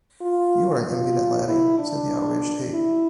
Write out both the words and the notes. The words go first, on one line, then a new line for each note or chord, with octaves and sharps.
"You're an impudent laddie," said the outraged Haight.
F4
F4
E4
D4
E4